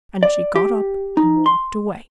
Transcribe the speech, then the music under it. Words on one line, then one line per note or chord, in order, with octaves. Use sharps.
And she got up, and walked away.
D5
G4
D#4
C6